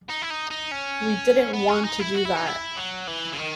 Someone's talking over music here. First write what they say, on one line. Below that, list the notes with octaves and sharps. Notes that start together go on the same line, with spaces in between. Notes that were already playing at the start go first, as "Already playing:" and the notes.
We didn't want to do that.
D#4
E4
D#4
D#4
C#4
B3
C#4
D#4
E4
F#4
E4
D#4
E4
F#3
E3
C#3
D#3